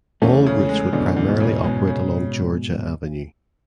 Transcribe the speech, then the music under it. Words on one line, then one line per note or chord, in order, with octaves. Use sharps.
All routes would primarily operate along Georgia Avenue.
E2 A3 C#4
C#3
G#3
E2 B2 D3
E2
G#2 B2
C#3
G#2 B2 G#3
C#3